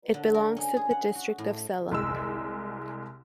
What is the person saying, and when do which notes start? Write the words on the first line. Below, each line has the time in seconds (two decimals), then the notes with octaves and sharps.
It belongs to the district of Celle.
0.14 D3
0.34 A#4
0.57 C#4
0.77 G#4
0.91 F#5
1.15 F#4
1.38 A2
1.91 C2 G#3 E6